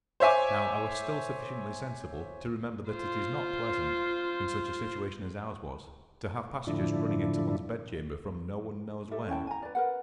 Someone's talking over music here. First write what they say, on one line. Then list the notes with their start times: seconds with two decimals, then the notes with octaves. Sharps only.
Now, I was still sufficiently sensible to remember that it is not pleasant, in such a situation as ours was, to have passages running into one's bed-chamber from no one knows where.
0.20 C5 C#5 E5 G#5 D6
2.90 F4 C5
6.67 A2 D3 F3 D4 E4
9.11 G4 A4 E5
9.28 C#4 E4 G5 A5
9.47 G#5 A#5
9.62 B4 D5
9.75 A#4 B4 F#5